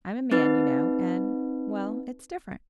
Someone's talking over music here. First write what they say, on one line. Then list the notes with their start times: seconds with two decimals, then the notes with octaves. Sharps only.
I'm a man, you know, and--well, it's different.
0.31 C4 D#4 B4